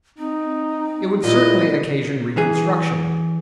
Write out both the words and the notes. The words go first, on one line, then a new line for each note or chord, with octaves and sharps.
It would certainly occasion reconstruction.
C4 D#4
A#2 E4 D#5
E3 G#4